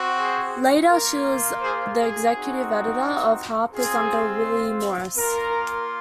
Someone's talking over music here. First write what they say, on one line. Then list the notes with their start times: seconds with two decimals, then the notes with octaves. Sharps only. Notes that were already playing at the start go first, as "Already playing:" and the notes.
Later she was the executive editor of "Harper's" under Willie Morris.
Already playing: C4 F#4
0.18 G#4 C5
0.90 A#3 F4 A#4
1.61 G#4 C5
1.97 G#4
2.33 C4 D#4 F#4
3.75 C4 F4 G#4
5.18 A#3 F4 A#4